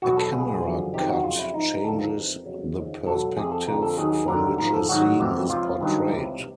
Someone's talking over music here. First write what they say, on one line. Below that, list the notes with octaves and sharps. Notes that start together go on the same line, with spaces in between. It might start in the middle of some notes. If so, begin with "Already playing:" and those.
A camera cut changes the perspective from which a scene is portrayed.
E2 B2 F#3 F#4
A4
C#2 B2 F#3 G#4
G#4
F#2 D3 F3
F2 C3 D#3 F#3 G4
F#4
F2 C#3 F#3 F4
E4
G#2 F3 D#4
A#4
D#2 D3 F3 A4
A#4
F2 C3 E3
F2 C#3 F#3
D#2 C#3 F3
C#2 B2 F#3 A4
F2 C3 F3 G#4
A4
F2 D3 F3 A#4
A4
D#2 D#3 F#3 G#4
G#4
D#2 D3 F#3 A#4
G#2 F3 A#4
A4
G#2 D#3 F#3 F#4
F2 C3 E3
C#2 C3 F3 F4
G2 D#3 F#3
C#2 C3 E3